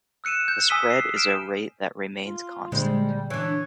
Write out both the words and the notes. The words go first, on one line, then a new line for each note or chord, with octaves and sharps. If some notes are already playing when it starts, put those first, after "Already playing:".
The spread is a rate that remains constant.
E6 F#6 C#7 D#7 E7
G6
G#5 D#6 E6 B6 D#7 G7
C7
F6 D7 E7
F4
A#2 D3 G3 G#3 C5
E3 D4 C#5